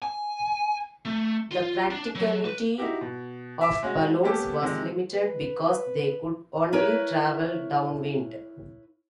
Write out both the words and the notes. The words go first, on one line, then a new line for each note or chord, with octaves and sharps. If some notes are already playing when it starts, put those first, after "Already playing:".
The practicality of balloons was limited because they could only travel downwind.
G#5
A3
F4
D4
F#3
B4
D#4 E4 F#4 G4
B2
E5 D6
G#3 C#4 F#4
A#3 B3 C#4 G4 A4
C3 D#3 F3 G#3
B4
E4 A#4 B4 C#5